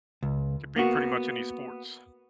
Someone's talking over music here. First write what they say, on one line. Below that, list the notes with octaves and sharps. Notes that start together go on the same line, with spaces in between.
Could be pretty much any sports.
C#2
A#3 B3 F#4